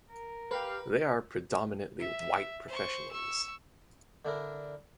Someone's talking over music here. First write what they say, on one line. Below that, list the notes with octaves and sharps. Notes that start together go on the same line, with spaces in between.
They are predominantly white professionals.
A#4
G4 B4 F5
E5
C5 C#6
C#6 E6
D3 D4 E4 A#4